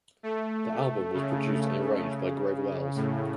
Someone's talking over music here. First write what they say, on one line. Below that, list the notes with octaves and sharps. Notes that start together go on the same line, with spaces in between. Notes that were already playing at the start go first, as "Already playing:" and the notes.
The album was produced and arranged by Greg Wells.
A3
C#3
A2